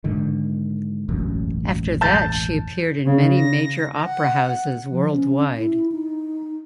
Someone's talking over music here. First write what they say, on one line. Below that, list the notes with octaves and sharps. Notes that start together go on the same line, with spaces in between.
After that she appeared in many major opera houses worldwide.
G#2 D3 D#3
E1 A1 F#2
A5 G6 A6
C#3
A#6
F#5
F3
C#4
E4
D#4